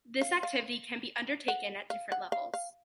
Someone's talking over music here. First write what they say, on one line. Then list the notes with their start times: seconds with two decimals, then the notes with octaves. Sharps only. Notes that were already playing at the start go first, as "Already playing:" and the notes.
This activity can be undertaken at different levels.
0.21 F5
0.43 F5
1.48 F#5
1.90 F5
2.12 F#5
2.32 F5
2.54 F5